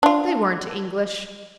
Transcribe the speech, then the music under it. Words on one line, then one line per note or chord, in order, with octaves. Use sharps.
"They weren't English."
D4 F4